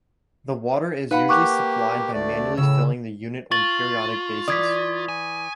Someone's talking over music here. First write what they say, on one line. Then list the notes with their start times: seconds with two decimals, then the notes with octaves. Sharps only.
The water is usually supplied by manually filling the unit on a periodic basis.
1.11 D#4 B4 F5 F#5 B5
1.29 A#3 G4 C#6 D6 F#6
2.13 D2 A3 D5
2.57 A2 C#3 E6
3.51 F4 C#6 A6 F#7
4.48 E3 D5 D#6 G#6 B6
5.09 G#5